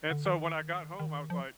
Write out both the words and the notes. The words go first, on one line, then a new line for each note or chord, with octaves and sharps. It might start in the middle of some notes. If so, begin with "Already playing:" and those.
and so when I got home, I was like
D3
D#3
D#3
F3